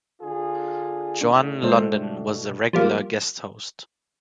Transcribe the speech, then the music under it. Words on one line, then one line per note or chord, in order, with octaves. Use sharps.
Joan Lunden was a regular guest host.
D3 F4 G#4
A2 D3 D4
B2 G#3 A4 C5
F3 G3 A#3